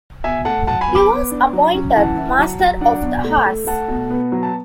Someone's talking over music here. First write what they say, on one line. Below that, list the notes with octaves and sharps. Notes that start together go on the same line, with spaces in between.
He was appointed Master of the Horse.
B2 E5 G#5
A3 F#5 A5
F#3 F#5 A5
G#5 B5
B3
B5 D6
B3
D4
F#3
C#4
E3 F#5 A5
E4
F#3
F#3
D4 D5 F#5
B2
A3
A3
A3 F#5 A5
B2
B3
F#3
A5